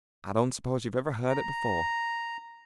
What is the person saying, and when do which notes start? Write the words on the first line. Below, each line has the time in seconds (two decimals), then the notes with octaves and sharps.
"I don't suppose you ever heard it before."
1.29 A#5